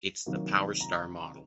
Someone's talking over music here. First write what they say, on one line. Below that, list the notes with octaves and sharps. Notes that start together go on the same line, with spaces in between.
Its the Powerstar model.
C3 D#3 F#3 A#3
A#5